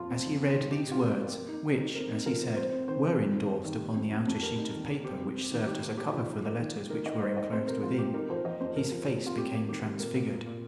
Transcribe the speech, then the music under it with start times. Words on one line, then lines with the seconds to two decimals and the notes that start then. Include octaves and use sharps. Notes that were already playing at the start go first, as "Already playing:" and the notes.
As he read these words, which, as he said, were endorsed upon the outer sheet of paper which served as a cover for the letters which were enclosed within, his face became transfigured.
Already playing: F2 F4
0.09 C4
0.25 D#3
0.40 C4
0.55 D#3
0.71 D#4 G4
0.87 C3 F4
1.02 F3
1.13 A#3 G4
1.33 A#3
1.49 D#4
1.64 A#3
1.79 D#4
1.95 C4 A#4
2.11 D#4
2.26 F3 A#4
2.42 C4
2.57 C4 C5
2.72 C4
2.88 D#3 C5
3.03 C4
3.19 D#3
3.34 D#4
3.50 G3
3.65 D#3
3.81 G3
3.96 F2
4.12 C3
4.27 F2
4.43 G3 A#4
4.58 D#4
4.74 D#3
4.89 A#3
5.04 C4 G4
5.20 C4
5.36 C4
5.51 D#3
5.67 D#4 G4
5.82 A#2
5.97 A#2 G4
6.13 F3
6.28 D#4
6.44 A#3
6.59 D#3
6.75 D#3
6.90 D#4 A#4
7.06 D#4 D#5
7.21 D#4 C5
7.37 D#4 D#5
7.52 C3 C5
7.68 C3 A#4
7.83 F3 F4
7.98 C3 G4
8.14 D#4 A#4
8.30 F3 C5
8.45 F3 D#5
8.60 F2 C5
8.76 C3 A#4
8.92 F3
9.07 C3
9.22 C3 F4
9.38 G3 G4
9.53 A#3
9.69 D#3 G4
9.84 G3
9.99 A#2 A#4
10.16 A#2
10.31 A#2
10.46 A#2